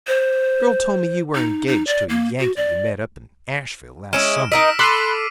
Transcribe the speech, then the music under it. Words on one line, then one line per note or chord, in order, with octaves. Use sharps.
"Girl told me you were engaged to a Yankee you met up in Asheville last summer."
C5
D#4
D#4
D5
A#3
F#4
D5
G#3 C#4 E4 F6 D7 E7
D#4 A#4 D#5 E6 B6 D7
A4 B5 C6 D6 F#6 C7 D#7